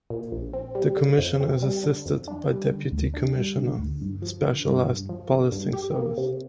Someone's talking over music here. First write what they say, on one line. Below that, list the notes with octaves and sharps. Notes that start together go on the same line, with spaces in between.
The Commissioner is assisted by Deputy Commissioner, Specialized Policing Services.
A#2
A#1
C4
G3
D3
F2
C4
G3
D3
F2
D4
G3
D3
D2
D4
G3
D3
D2
G2
F3
D3
G2
G2
F3
D3
G2
G4
A#3
C3